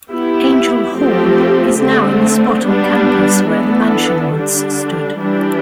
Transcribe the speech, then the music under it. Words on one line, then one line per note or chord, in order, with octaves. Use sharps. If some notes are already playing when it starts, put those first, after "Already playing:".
"Angell Hall" is now in the spot on campus where the Mansion once stood.
B3 E4 G4
F3 A3 C4 G4
D3 A3 C4
G3 B3 D4
E3 B3 D4 A4
D3 G3 D4
E3 G3 D4 G4